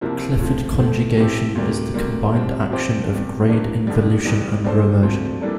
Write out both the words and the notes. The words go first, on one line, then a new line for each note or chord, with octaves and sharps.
Clifford conjugation is the combined action of grade involution and reversion.
C2 C3 F3 A#3 E4
A2 F3 C4
A2 F3 A3
F3 A3 C4 E4 G4
D2 C3 G3 A#3
D2 C3 G3 A#3
C2 C3 G3 C4
F3 C4 G4 C5
E2 C3 G3
G2 E3 A#3 D4
F2 D3 G3
F2 E3 G3
A#2 G3 D4 A4 C5
D2 C3 F3 C4
E3 G3 A#3 D4 A4